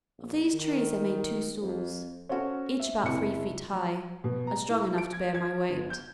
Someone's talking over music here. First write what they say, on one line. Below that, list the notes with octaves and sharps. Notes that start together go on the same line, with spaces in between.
Of these trees I made two stools, each about three feet high, and strong enough to bear my weight.
A#1
D#3
F2
C#4 F#4 A4 C5 C#5
E5
F#1 C3 E4 C#7
F#3
B2
A#5
E4
D7
G#6
G#6
G1
G6